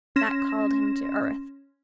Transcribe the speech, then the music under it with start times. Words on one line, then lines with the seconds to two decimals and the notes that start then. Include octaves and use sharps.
That called him to earth.
0.16 C#4 C6 A#6 E7